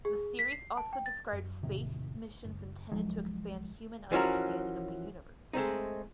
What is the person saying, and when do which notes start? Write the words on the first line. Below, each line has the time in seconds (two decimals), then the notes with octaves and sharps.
The series also describes space missions intended to expand human understanding of the universe.
0.05 G#4
0.39 B6
0.52 C7
0.77 A5
0.93 G5
1.06 A6
1.33 F#2
1.63 E2 A2 C3 D#3
2.45 F#1
2.92 C2 F3 F#3 G#3
4.12 E3 F3 C#4 F#4 A#4
5.53 G#3 A3 C4 D#4